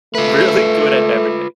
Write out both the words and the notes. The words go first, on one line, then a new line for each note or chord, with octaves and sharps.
really good at everything.
A3 F4 B4